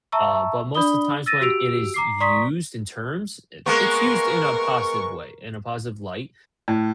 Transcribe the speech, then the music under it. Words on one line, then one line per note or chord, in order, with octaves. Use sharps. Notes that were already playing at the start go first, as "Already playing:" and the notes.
Uh, but most the times when it is used in terms, it it's used in a positive way, in a positive light,
E5 A5 A#5 C#6 E6
D4 D5 B5 D#6 G7
E6 A6 A#6 D#7
F#4 G4 E6 D7 F7
A#5 D6 C7
D5 A#5 C6 C#6 D#6 B6
G#3 A#3 B3 A#4 C#6
A2